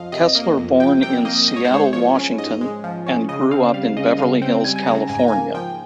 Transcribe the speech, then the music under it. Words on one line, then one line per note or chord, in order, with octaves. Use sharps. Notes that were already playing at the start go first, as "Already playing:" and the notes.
Kessler born in Seattle, Washington and grew up in Beverly Hills, California.
Already playing: F2 F3 D#5 F5
C3 D#5
A#3 D#5
F2
F3 G5
C3 G5
A#3 D#5
G#2 D#5
C#5
C5
G#3 C#5
F3 C#5
C#4
G#2 D#5
G#3
F3
C#4
C#3 D#5
C4 F5
G3 F5
C#3 D#5
C#3 F5
C4 G5
G3 G#5
G#5
C#3 A#5
G#2 G#5
A#5
G#5
A#3
F3 G5